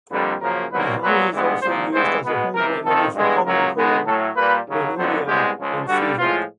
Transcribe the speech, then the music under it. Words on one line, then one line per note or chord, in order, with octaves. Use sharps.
Nihari is also used as a home remedy for Common cold, Rhinorrhea and Fever.
F2 D3 G3 A#3 B4
F#2 C#3 F3 A#3 A#4
C2 B2 F#3 A#3 B4
A#2 F#3 B3 B4
G2 E3 G#3 B3
C2 A#2 F3 A#3 C5
G2 E3 G#3 B3 C5
B2 G#3 B3 B4
C#2 C3 E3 A#4
F2 C3 D#3 A4
G2 E3 G#3 B3
C#2 C#3 F#3 A#3 A#4
C#2 B2 G#3 B3
A2 F#3 A3 A4
A#2 G3 A#3 B4
D#2 C#3 F#3
F2 D3 F#3 B3 C5
C2 B2 G#3 B3 G4
C#2 C#3 F3
G2 D3 G3 F#4
A2 F3 G#3 F4